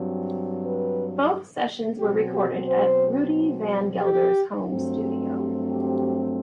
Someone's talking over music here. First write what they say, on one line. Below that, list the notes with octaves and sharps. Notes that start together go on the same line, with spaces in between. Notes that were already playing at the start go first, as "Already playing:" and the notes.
Both sessions were recorded at Rudy Van Gelder's home studio.
Already playing: G2 F#3 C4
B4
B2 F#3 C4 G4
G4
C5
G4
G2 F#3 A3 C4
G4
G4